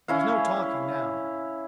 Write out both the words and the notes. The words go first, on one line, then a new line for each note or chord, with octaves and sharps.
There was no talking now.
C#4 E4 F5